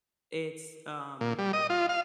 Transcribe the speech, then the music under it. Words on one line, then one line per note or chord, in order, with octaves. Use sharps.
it's, um
A#2
G3
D#5
F4
F5